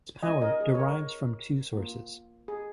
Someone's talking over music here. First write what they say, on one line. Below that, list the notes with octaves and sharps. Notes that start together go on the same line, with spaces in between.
This power derives from two sources.
G#3 C#4 F4 D#5 G#5
A#4 D#5
G#4
C#5
A#4
A#3 F4
G#4